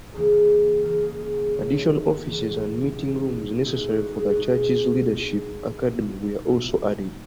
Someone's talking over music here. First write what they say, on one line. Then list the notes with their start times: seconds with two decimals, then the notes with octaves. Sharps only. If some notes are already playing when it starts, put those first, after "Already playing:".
Additional offices and meeting rooms necessary for the church's Leadership Academy were also added.
0.13 C#2 C#3 E3 A#3 G#4
0.83 C#2 C#3 E3 A#3 A#4
1.02 G#4
1.19 G#4
1.37 A#4
1.54 C#2 C#3 E3 A#3 C#5
1.68 D#5 E5
1.90 E5
2.07 F#5
2.24 C#2 C#3 E3 A#3 F#5
2.95 B2 G#3 D#4
3.65 B2 G#3 D#4 E5
3.89 F#4
4.13 G#4
4.28 F#4
4.36 B2 G#3 D#4 G#4
5.06 B2 G#3 D#4
5.76 B2 A#3 D#4 E5
6.47 B2 A#3 D#4 E5